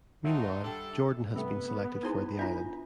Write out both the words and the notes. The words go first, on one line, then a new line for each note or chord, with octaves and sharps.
Meanwhile, Jordan has been selected for the island.
D#2 F#3 D#4 E5 F#5 A5 C6
G3 D4 A4
G2 C3 A3 B3
D#4 E4 G#4 C5 G#5
D4 E4 F4 A#5 B5